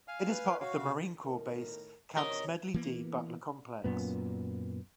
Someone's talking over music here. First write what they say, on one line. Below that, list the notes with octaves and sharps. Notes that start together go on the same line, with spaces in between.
It is part of the Marine Corps Base Camp Smedley D. Butler complex.
F5 G#5 F6
B4
F#4 C#5 F5
C3
A2 D#3 A#4
C3 E3 A#4 C#5 D#5
E3 A#3 B3
F#2 A#2 B3